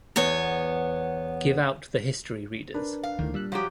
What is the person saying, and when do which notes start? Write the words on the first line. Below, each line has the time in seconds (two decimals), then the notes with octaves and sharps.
Give out the history readers.
0.16 E2 B3 C#5
2.74 D4 A#4 B4
3.03 F5
3.19 D2 A2 D3 D#3 A#3
3.34 A#2 G3 E6 F#6
3.52 F3 F#3 F#4 G4 C#5